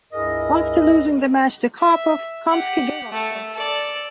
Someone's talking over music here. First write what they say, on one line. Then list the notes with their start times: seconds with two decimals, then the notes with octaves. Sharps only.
After losing the match to Karpov, Kamsky gave up chess.
0.13 C#2 G2 E4 G#4 A#4 D#5
1.79 E5
2.48 G4 F#5
3.11 A3 A4
3.53 A4 D5